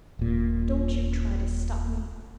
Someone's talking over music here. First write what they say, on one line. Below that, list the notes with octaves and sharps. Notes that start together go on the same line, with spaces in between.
Don't you try to stop me!
D#1 A#2